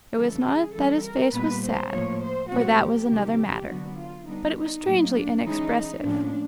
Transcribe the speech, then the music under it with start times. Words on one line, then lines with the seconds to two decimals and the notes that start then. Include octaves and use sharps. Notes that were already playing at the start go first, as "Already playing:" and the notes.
It was not that his face was sad, for that was another matter; but it was strangely inexpressive.
0.15 C#3 E3 G3 A4
0.46 G#4
0.74 E3 G3 C4 A4
1.04 A#4
1.33 A#2 G3 B3 B4
1.63 C5
1.92 A2 F3 A#3 C#5
2.22 C5
2.50 A#2 F3 G#3 C4 F#4
2.81 G4
3.10 C3 D#3 F#3
3.68 D3 F#3 B3 D4 F#4
3.97 F4
4.27 D3 G3 B3 D4 D#4
4.56 D#4
4.85 A2 F#3 A#3
5.15 D4
5.45 E3 G#3 C#4 D#4
6.03 A2 F3 A#3 C#4 D4